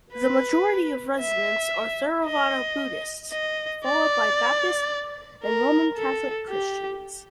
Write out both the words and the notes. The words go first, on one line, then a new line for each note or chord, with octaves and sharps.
The majority of residents are Theravada Buddhists, followed by Baptist and Roman Catholic Christians.
B4
E5
D#5
D#5
D5
A#4
A4
G4